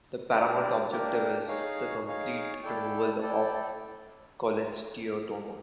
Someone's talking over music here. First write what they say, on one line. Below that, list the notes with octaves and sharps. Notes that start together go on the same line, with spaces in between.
The paramount objective is the complete removal of cholesteatoma.
A#3 D4 G4 A#4 D5
A#3 D4 G4 A#4 D5
D#4 G#4 C#5 F5
D#4 G#4 C#5 F5
E4 A4 D5 G5
E4 A4 D5 G5